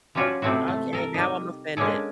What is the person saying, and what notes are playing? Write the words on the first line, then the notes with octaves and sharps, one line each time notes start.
Okay, now I'm offended.
F3 G3 C#4 F4 F#4
C3 F3 A3 C4 E4 F#4
A3
A4 A#4
G3 D#4
G#3 A#3 C#4 D4 G#4 A4